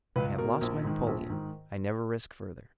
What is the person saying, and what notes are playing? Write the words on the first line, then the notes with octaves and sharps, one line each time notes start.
I have lost my napoleon: I never risk further.
C#2 B4
B2 A#4
A#1
G#2 D#3
A#1
G#2 D#3